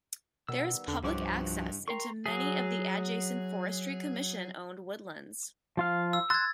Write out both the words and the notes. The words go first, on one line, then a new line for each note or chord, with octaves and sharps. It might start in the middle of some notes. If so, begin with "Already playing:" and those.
There is public access into many of the adjacent Forestry Commission owned woodlands.
B2 D#3 G3 B3 E6
E2 D3
C2 G2 C#3 E3 F3 G#3 F#4 D6
A#4 G5 A#5 C6 C#6
F#3 G#4
F3 F4 F5
E6
C6 E6 F#6 G#6 A6